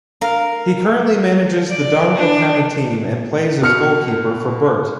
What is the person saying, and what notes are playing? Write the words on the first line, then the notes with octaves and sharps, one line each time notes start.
He currently manages the Donegal county team and plays as goalkeeper for Burt.
A#4 F5
D5
D4
B2 F6 C#7